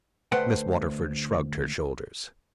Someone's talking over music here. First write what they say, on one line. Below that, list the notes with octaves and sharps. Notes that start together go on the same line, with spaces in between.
Miss Waterford shrugged her shoulders.
D2 A3 B4 C5 F#5 G5